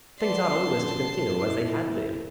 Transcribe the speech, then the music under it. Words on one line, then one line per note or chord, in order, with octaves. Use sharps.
Things ought always to continue as they had been.
B3 C5 D5 A5 C6
F#2 D3
E4